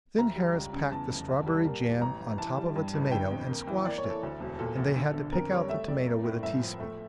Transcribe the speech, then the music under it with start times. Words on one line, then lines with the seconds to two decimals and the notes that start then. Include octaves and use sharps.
Then Harris packed the strawberry jam on top of a tomato and squashed it, and they had to pick out the tomato with a teaspoon.
0.18 D2 A#5
0.36 G3
0.54 C#2
0.73 C#3
0.91 E2 A5
1.10 F1
1.28 C#2
1.47 G3
1.65 A#3
1.84 E2
2.01 A1 A#5
2.20 A1
2.38 E3 A5
2.57 G3
2.76 G2
2.94 A1
3.11 D3 G5
3.31 F2
3.49 A#3
3.67 E3
3.85 A#3 D5
3.98 C#5
4.04 E3
4.10 A4
4.23 D2
4.40 E1
4.59 A#2 A4
4.77 A#1
4.96 D3
5.14 D3
5.32 F2 A#4
5.51 G3 C#5
5.69 A3 E5
5.88 F2 D5
6.07 A#3
6.24 A2
6.43 G1 E5
6.62 F3
6.80 A3